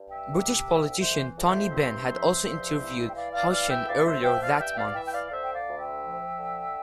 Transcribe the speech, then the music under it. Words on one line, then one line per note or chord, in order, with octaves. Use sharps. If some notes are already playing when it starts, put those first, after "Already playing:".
British politician Tony Benn had also interviewed Hussein earlier that month.
Already playing: G2
E5 G5
C3
C2
E3 C5 E5
F2
C5 E5
G2 C5 E5
F3
G2
E3
G5
E3 D5 F5
D5 F5
E3 D5 F5
E5 G5
D2 D5 F5
C5 E5
F3 E5 G5
D5 F5
G2 E5 G5
D5 F5
E3 E5 G5
G5
D5 F5
F5
D3 C5 E5
G5
D5 F5
D2
E5 G5
F3
D3